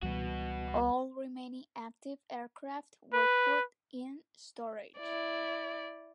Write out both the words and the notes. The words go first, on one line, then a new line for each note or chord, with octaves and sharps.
All remaining active aircraft were put in storage.
C#2 E3 G3 B3 F#4
B4
E4 D5